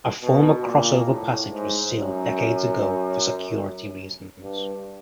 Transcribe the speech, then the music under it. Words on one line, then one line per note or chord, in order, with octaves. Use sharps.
A former crossover passage was sealed decades ago for security reasons.
B2
A#2
A2
G#2
F#2
G2